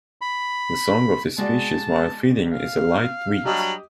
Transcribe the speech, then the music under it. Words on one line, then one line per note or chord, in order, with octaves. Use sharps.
The song of this species while feeding is a light "weet".
B5
G#3 F#4 D5 A5
F5
F#3 G3 D4 G4 D#5 D#6